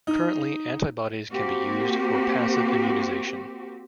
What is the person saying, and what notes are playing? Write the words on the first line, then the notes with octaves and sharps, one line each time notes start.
Currently, antibodies can be used for passive immunization.
D#4
A#3 C4 F#4 G4